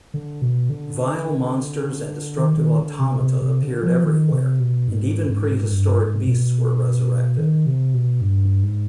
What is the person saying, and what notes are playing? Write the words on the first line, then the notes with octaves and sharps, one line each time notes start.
Vile monsters and destructive automata appeared everywhere, and even prehistoric beasts were resurrected.
D3
B2
D3
D#3
D#3
D3
C3
C3
C3
D3
F3
D#3
C3
B2
G#2
G#2
G2
G#2
B2
D#3
C3
B2
G2
G#2